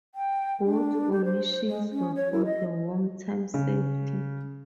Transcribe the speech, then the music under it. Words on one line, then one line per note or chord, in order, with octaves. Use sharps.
Both omissions were for wartime safety.
G5
D4
G4
C5
C5
G#3
C#4
C#5
E4
D#5
C#3